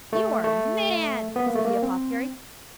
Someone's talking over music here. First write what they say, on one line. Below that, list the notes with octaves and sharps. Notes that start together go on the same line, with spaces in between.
'You are mad!' said the apothecary.
A3
A3
B3
A#3
A3
A#3
C4